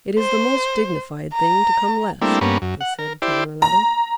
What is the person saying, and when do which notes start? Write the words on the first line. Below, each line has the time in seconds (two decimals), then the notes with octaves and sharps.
"It is the most dignified thing to come last!" they said to one another.
0.19 C5
1.33 A#5
2.22 G3 A3 A#3 C4 D4 E4
2.41 G2 A#3 B3 C#4
2.62 F#2
2.81 F#5
2.99 A#4
3.22 E4 G4 C5 D5
3.62 A#5